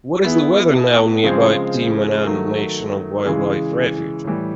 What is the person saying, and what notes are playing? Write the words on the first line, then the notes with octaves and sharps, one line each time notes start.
What is the weather now nearby Petit Manan National Wildlife Refuge?
B3 E4 G#4
C#3 F3 G#3 C4
D#3 F#3 A3
C#3 E3 G#3
A2 E3 G3